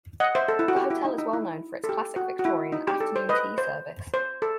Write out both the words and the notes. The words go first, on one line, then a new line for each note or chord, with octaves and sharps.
The hotel is well known for its classic Victorian afternoon tea service.
D#5 F#5
C5 E5
A4
E4
F#4
G4
E4
D#4
D#4
E4
A4
G4
F#4
F#4
E4
D#4
G4
A4
C5
B4 D#5
C5
C5
A4